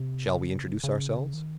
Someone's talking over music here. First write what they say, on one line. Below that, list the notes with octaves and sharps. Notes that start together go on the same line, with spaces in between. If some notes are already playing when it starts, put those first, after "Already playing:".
Shall we introduce ourselves?
Already playing: C3
C#3
C3
C#3
C#3
D#3